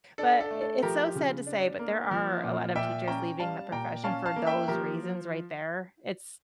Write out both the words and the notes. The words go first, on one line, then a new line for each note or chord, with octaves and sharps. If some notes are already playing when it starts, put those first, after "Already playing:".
but it it's so sad to say, but there are a lot of teachers leaving the profession for those reasons right there, it's,
D4 A4
A4
A3
A4
F3 G4 A#4
G4
C#3
D4
A#3
F3
A#2
A#2 E5 G5
C#4 G5 A#5
G3 F5 A5
A#2 G5 A#5
C#4 F5 A5
F5 A5
A#3
E5 G5
F3 G4 A#4